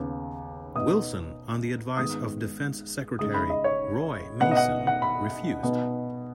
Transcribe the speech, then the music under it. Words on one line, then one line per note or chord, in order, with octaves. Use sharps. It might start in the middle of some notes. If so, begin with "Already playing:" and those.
Wilson, on the advice of defence secretary Roy Mason, refused.
Already playing: D#2 C#3 B3
B2 B3 D#4 D#6
G#2 D#3 G#3 B3 D#6
C#3 G#3 D#4 D#6
B5
D#5
C#5
B2 B3 D#4 F#5
D#5
F#5
F#5
B5
B2 B3 D#4